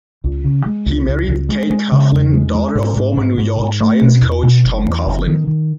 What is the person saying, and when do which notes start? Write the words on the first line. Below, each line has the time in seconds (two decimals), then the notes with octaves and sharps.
He married Kate Coughlin, daughter of former New York Giants coach Tom Coughlin.
0.24 C#2
0.44 C#3
0.66 G#3
0.86 C#2
1.07 C#2
1.28 C#2
1.49 G#3
1.70 G#3
1.92 C#3
2.12 E2
2.34 G#3
2.54 G#3
2.75 G#2
2.96 G#2
3.17 G#2
3.38 G#2
3.60 G#2
3.80 A3
4.01 B2
4.21 E2
4.43 B2
4.64 F#1
4.85 E2
5.05 F#1
5.27 D#3
5.47 D#3